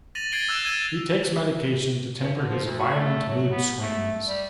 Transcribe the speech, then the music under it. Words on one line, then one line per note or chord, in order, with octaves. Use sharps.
He takes medication to temper his violent mood swings.
A6 A#6 D#7 F7 F#7
G#6 A6 C7 D7 F7 G7
E6 F#6 E7
E6 G#6 D#7 F7
G2
D3
F3
D2
F#4
A3
F#3
B3
A3
G3